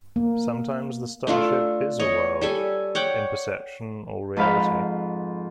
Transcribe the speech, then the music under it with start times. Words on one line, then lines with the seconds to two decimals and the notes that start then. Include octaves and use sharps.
Sometimes the starship "is" a world, in perception or reality.
0.16 A#3
1.27 A3 D4 F4 A4
2.00 C#5 D#5
2.41 G3 A4 G#5
2.95 C#5 F#5 G5 D6
4.36 F2 G#2 B4 F5 B5